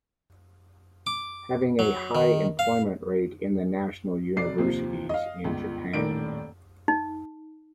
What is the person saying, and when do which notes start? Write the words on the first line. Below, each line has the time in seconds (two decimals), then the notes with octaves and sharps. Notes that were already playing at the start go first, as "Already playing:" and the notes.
Having a high employment rate in the national universities in Japan.
1.07 D6
1.79 F#3
2.15 D#3
2.59 F5
4.36 F1 F#3 D5 C7
4.58 D#2 C3 F3
5.09 D#5 F5
5.44 G1 C#2
5.93 D#1 A2 D#3 D5 D7
6.88 D#4